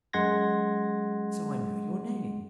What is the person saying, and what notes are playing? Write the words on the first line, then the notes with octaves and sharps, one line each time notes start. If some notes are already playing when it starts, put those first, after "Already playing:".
"So I know your name."
F#2 G#3 F#5 C6 G#6 A#6